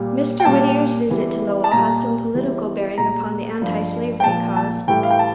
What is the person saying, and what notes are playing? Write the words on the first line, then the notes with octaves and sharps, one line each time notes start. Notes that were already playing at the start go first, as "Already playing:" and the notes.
Mr. Whittier's visit to Lowell had some political bearing upon the antislavery cause.
Already playing: A#2 G3
G5
A#2 G3 A5
E2 E3 G3
A5
A#2 G3 A#5
E2 E3 G3
A#2 G3 A#5
G2 F3
G5
A#2 F3 A5
A5
A2 E3 G3 G5
F5
G5
A5